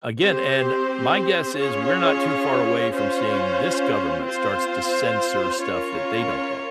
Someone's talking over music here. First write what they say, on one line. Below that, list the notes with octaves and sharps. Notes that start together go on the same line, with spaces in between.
again and my guess is we're not too far away from seeing this government starts to censor stuff that they don't like.
C4 G4 C5
C#4 F4 G#4 C#5
C#4 F4 C5
C4 F4 C5
C#4 F4 A#4 C#5